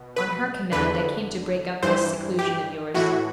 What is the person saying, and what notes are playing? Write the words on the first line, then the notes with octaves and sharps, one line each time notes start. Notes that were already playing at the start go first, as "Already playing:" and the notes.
On her command I came to break up this seclusion of yours.
Already playing: B2
B4
E2 D3 B4
G2 E3 C5
G4
A2 E3 F#4